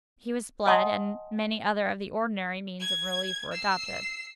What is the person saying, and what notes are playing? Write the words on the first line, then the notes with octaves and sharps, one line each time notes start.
He was bled, and many other of the ordinary means of relief were adopted.
D#5 F#5 G#5 A5 C6 D#6
G#6
E6 C7